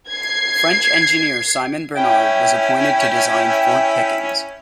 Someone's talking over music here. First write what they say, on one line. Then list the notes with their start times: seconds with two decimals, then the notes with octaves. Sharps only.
French engineer Simon Bernard was appointed to design Fort Pickens.
0.10 G#6 C7
1.94 C#4 E4 G5